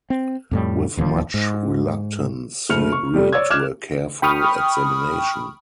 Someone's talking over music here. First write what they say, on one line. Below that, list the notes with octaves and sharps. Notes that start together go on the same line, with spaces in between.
With much reluctance he agreed to a careful examination.
C4
F2 A2 G3
D1 D#2 C#3 F3
G#2
F#1 A2 F6 C#7 F7
C#6
C3 G3 A3
C#5 D5 E6 G#6
D6 F6 F#6 G#6 E7
G5 B5 C#6 D#6 F6